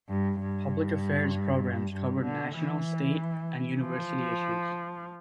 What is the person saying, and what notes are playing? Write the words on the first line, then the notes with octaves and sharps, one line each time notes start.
Public Affairs programs covered national, state and University issues.
G2
G2
G2
D3
E3
F3